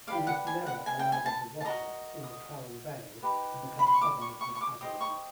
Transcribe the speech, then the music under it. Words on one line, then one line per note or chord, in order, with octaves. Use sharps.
We must never allow the Barossa or McLaren Vale to become suburbs of Adelaide.
G4 B4 D5 F5
F#5
G#5
F#5
G#5
G5
G#5
A5
A5
F#4 A#4 D#5 A#5
D#6
D#4 G4 B4
B5
C6
C#6
D6
C#6
C#6
C#6
D6
G4 C5 D#5 D#6
C#6